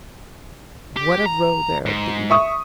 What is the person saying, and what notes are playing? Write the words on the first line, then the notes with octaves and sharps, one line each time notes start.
What a row there'll be!
G4
A#5
G#2
E5 C#6 D#6